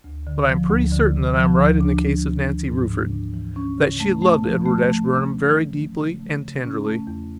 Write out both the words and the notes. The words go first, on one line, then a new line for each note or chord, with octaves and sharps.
But I am pretty certain that I am right in the case of Nancy Rufford--that she had loved Edward Ashburnham very deeply and tenderly.
D2
D3
F3
D2
D3
D2
F3
D2
D4
D4
E3
E3
G#2
D4
D4
E3
C#4
C#3
A3
A3
F3
A3
A3
C#4
A3
E3
A3
C#3
A3
C#3
C#4
A3
E2